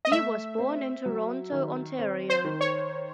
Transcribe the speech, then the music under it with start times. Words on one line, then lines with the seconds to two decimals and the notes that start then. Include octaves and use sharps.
He was born in Toronto, Ontario.
0.05 D#5
0.11 A3 E5
0.58 C4
1.06 F#3
1.52 D#3
1.99 C4
2.30 C5
2.44 D#3
2.61 C#5